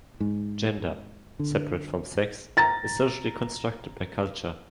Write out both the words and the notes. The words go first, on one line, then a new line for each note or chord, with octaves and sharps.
Gender, separate from sex, is socially constructed by culture.
G#2
D3
A#5 A6